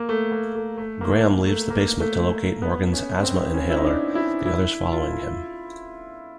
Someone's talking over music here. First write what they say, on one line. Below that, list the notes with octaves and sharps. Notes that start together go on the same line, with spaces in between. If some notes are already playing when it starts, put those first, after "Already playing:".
Graham leaves the basement to locate Morgan's asthma inhaler, the others following him.
Already playing: A#3
A3
A#3
A3
A3
A#3
A3
A#3
A3
B3
C#4
C4
C#4
E4
D#4
D4
E4
E4
F4